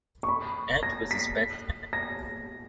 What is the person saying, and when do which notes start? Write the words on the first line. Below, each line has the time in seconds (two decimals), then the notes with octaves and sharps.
Ant was his best man.
0.23 C#6
0.29 B5
0.83 A#6
1.11 B6
1.93 A#6